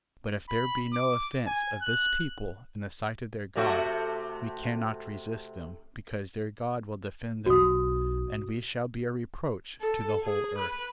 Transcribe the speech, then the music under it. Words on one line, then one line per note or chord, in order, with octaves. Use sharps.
But if there be no offence of this people in the sight of their God, we cannot resist them because their God will defend them: and we shall be a reproach to the whole earth.
B5
D6
G#5
F#6
C3 A3 F#4
B1 F#4 D#6
A4
G#4
B4